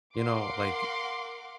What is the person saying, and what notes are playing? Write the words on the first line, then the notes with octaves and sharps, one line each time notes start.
you know, like,
A#4 F5 F#5 C6 D6